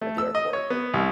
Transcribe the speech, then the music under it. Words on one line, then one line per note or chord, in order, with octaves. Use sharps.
at the airport,
A3
E6
D#5
C#5
B3
C2